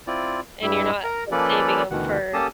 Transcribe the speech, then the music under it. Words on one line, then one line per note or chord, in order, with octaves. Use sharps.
and you're not, like, saving 'em for
C4 E4 F4 D5
G2 G3 E4 E5
A#4 A#5
F3 A#3 C#4 A4 B4 D5
D2 B2 D#3 E3 F#5
A#3 C#4 G4 A4 A5 D#6